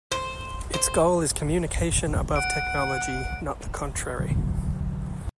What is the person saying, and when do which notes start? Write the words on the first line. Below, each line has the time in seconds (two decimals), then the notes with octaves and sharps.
Its goal is communication above technology not the contrary.
0.12 C5
0.74 C5
2.36 F#5 D7
4.19 B2 D3 F#3 D4